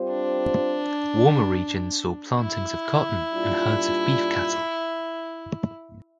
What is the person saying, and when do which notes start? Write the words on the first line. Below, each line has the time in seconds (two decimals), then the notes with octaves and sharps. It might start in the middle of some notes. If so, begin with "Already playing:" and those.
Warmer regions saw plantings of cotton and herds of beef cattle.
Already playing: G3 C4 F4 C5
0.09 D4
2.39 E4
3.32 A#2 G3 D4 F4